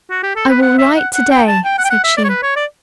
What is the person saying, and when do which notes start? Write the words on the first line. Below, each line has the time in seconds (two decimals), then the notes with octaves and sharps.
'I will write to-day,' said she.
0.10 F#4
0.23 G4
0.36 A4
0.48 B4
0.62 F#5
0.78 E5
0.96 F#5
1.14 F#5
1.30 G5
1.47 A5
1.65 G5
1.78 F#5
1.84 G5
1.90 F#5
2.04 E5
2.17 D5
2.24 C#5
2.29 B4
2.43 C#5
2.56 D5